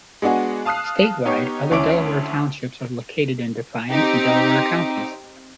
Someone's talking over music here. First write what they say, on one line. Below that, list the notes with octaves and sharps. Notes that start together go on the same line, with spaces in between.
Statewide, other Delaware Townships are located in Defiance and Delaware counties.
G#3 B3 D4 F#4 G#4
F5 A5 D#6 F6 F#6 C7
B3 D#4 G4 C#5
D2 C#4 E4 D6 D7
C4 D#4 G4